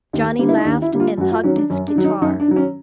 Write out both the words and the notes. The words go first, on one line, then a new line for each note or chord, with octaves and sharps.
Johnny laughed and hugged his guitar.
D#2
D3 G3 A#3
E4
D#4
D#2 D4
E4
D3 G3 A#3
F4
F#2 F#4
F4
D#3 F#3 C#4
D4
F#2 C#4
D4
D#3 F#3
D#4
F#2 D#4
D4
D#3 F#3
C#4